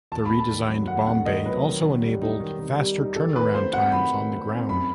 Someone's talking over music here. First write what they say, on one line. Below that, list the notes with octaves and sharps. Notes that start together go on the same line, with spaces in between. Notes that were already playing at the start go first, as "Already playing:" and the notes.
The redesigned bomb bay also enabled faster turnaround times on the ground.
D#2 A5
A3 B5
A5
D#3
F#3
D#2 F#5
A3 F#5
D#3 D#5
F#3 B4
D#3
D#3
G3
D#4
D#3
D#3
G3
D#4
D#3 A4
D#3 B4
A3 C5
C4 F#5
D#3 B5
D#3
A3
C4
F#2 B5